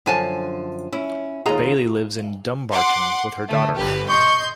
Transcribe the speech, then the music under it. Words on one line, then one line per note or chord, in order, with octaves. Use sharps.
Baillie lives in Dumbarton with her daughter.
F#2 D3 F3 D4 G#5 A5
C#4 E4
D#2 G#2 F4 G#4 D#5 A#5
F#5 C6 D6
D3 A3
G1 G4 B4
D#5 C6 C#6 G6